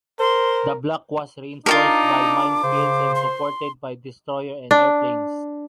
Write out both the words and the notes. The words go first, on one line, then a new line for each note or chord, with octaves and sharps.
The block was reinforced by minefields and supported by destroyer and airplanes.
A#4 C5 C6
D4 D#4 F4 F#4 A#4 D6
C#3 C5
C6
D4